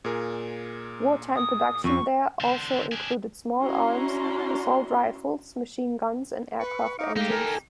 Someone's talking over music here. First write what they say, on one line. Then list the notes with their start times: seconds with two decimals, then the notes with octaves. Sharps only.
War-time production there also included small arms, assault rifles, machine guns, and aircraft engines.
0.05 A#2 G#4 A#4
1.35 D#6
1.84 F2 C#6
2.41 D3 C5
2.92 D4 G#4
3.60 C#4 D4 E4 F#4 A#5 C6
6.60 B4 C#6
6.99 D#4 F5 C#6 D6
7.16 G#3 A3 D#4 G4 F5
7.31 A4 A#4 G#5